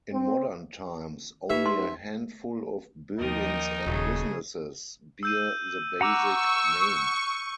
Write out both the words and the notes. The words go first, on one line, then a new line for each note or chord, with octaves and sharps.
In modern times, only a handful of buildings and businesses bear the Basic name.
C4
D#4 G4 B4 E5
C6
D#2 F3 D#4 A#4 D#5 G5
D#1 C#3 F#3 A3 G#4
E6 G6 D#7
F#5 A#5 C#6 D6 E6 F#6 D#7